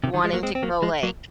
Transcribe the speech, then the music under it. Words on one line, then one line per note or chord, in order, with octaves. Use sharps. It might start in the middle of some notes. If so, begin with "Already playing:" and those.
wanting to go like
C3 D#3
D#3 F#3
F3 G#3
F#3 A#3
G#3 C4
C4
F#3 A#3
F3 G#3
F#3 A#3